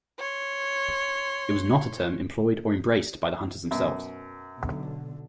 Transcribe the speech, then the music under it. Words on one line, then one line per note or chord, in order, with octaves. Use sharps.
It was not a term employed or embraced by the hunters themselves.
C#5 C6
F#2 B2
B1 D3